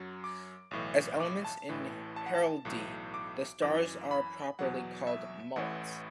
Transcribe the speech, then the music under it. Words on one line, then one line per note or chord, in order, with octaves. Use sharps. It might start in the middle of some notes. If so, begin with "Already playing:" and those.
As elements in heraldry, the stars are properly called mullets.
Already playing: F#2 F#3
D6
B1 A2 E3
D6
A5
A1 A2 E3
A5
F#5
A5
B1 A2 E3
D6
F#2 E3 D6
B5
E2 B2 F#3 F#5
E5
A1 A2 E3 F#5